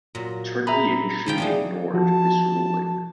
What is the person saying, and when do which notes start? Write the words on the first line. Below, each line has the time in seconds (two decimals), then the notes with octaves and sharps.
Turkey initially ignored this ruling.
0.15 A#2 F#3
0.67 G#4 E5 A#5 B5
1.26 D#3 F3 G5
1.38 E3 D4 G#4
1.94 F3 F#4 A5